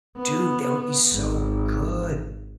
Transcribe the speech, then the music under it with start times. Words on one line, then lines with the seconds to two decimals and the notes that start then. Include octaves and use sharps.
Dude, that would be so good.
0.17 B3
1.13 G#1